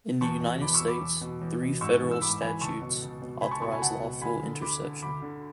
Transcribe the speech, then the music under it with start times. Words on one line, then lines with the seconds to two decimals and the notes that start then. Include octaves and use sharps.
In the United States, three Federal statutes authorize lawful interception.
0.21 E2 A5 C#6
0.41 B2
0.61 E2 B5 D6
0.74 C#6 E6
0.81 B2
0.87 B5 D6
1.02 E2
1.21 B2
1.41 E2
1.61 B2
1.81 G#2 C#6 E6
2.02 E3
2.11 E6
2.21 G#2 B5 D6
2.41 E3 G#5 B5
2.61 C#2 A5 C#6
2.81 B2
3.02 C#2
3.22 B2
3.41 C#2 G#5 B5
3.51 A5 C#6
3.62 B2 A5 C#6
3.72 G#5 B5
3.82 C#2 F#5 A5
4.02 B2
4.21 D2 G#5 B5
4.42 D3
4.62 D2 B5 D6
4.83 D3
5.02 D2 B5 D6
5.22 D3